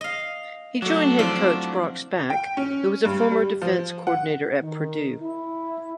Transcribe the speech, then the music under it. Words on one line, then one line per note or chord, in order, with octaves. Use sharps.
He joined head coach Brock Spack, who was a former defensive coordinator at Purdue.
D#5 F5
F#3 A3 D4
F3 C4 E4 D5
G5
C#4
G2
G3
F3
F#5
D#3
E4